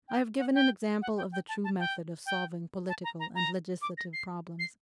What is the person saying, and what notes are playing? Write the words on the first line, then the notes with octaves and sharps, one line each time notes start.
I have given an example of the true method of solving political and legislative problems.
G5
F#5
G5
F#5
G5
G5
A5
A5
G5
G5
A5
A#5
A#5
A#5
D6
A#6
C7
C7